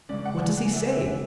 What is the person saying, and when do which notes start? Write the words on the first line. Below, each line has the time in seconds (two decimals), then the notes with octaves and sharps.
What does he say?
0.09 C#3 G#3 C#4 D5
0.25 F#5
0.41 G#5
0.57 F#5
0.73 E5
0.95 E5